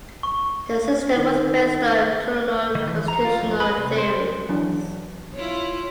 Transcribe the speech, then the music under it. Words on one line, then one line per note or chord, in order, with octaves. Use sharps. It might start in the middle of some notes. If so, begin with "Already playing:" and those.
The system was based on colonial constitutional theories.
C#6
D#3
D#3
E3
A#5
F4
F2
B4
C2
C5
E3 F#3 D4
E4 F4 C#5